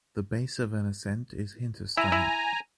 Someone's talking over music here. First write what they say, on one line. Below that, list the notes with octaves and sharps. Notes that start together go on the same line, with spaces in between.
The base of an ascent is Hinterstein.
E4 G#5 A#5
E4